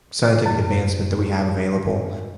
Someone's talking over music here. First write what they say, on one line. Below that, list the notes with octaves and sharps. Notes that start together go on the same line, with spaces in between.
scientific advancement that we have available
F#2